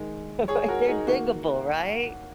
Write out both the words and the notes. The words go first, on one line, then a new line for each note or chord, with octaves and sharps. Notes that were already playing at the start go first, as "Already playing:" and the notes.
but they're diggable, right?
Already playing: D#3 G#3
G#4 C#5
F#4 A#4
D#4 G#4
D#3 A#3 F#4